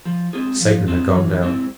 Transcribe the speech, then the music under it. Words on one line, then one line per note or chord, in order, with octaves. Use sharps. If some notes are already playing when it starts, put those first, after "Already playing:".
Satan had gone down.
F3
G#3 C4 F4 G#4
F3
G#3 C4 F4 G#4
E3
G#3 C4 E4